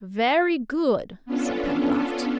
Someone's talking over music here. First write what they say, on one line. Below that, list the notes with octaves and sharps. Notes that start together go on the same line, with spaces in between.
"Very good," said Pencroft.
B3 C#4 D4 F4 A4